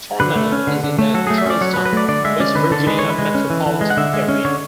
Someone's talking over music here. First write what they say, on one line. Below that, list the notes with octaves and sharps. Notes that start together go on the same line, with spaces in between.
Tornado is in the Charleston, West Virginia metropolitan area.
D3 B4
A3
C#4
D3
D3
A3
F#3 A4
A3 G#4
E5
C#4 D5
F#3 C#5
B4
F#3
B4
A3 D5
D3 D5
G#3 E5
C#4 D5
D3 B4
D3 A4
G#3 B4
E3 C#5
B4
G#3
C#4
E3
E3
G#3
F#5
D3 E5
G#3
C#4
D3 C#5